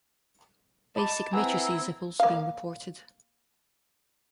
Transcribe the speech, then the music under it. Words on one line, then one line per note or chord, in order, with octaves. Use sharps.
Basic matrices have also been reported.
D#5 A5 B5 D6
C4 E4 B4 F#5 G#5 A#5 E6
A#3 F5